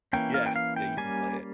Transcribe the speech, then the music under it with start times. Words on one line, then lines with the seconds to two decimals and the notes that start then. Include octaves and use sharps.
Yeah, yeah, you can play it.
0.13 E3 A#3 C#4 G5
0.34 F5
0.46 G5
0.56 F5
0.76 G5
0.97 G3 A#3 C#4 G#5